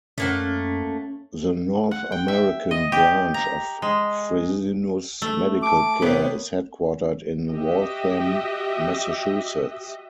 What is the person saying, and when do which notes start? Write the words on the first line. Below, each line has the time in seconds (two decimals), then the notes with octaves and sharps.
The North American branch of Fresenius Medical Care is headquartered in Waltham, Massachusetts.
0.18 F#2 A3 A#3 C#4 F#5
1.91 F#5
2.12 G5
2.28 E5
2.71 D#5
2.92 G4
3.34 A#5
3.82 G#3
5.22 A3
5.63 A5 D6
6.02 C3 A#3 B3 C#5
7.48 F#4 G4 D#5 E5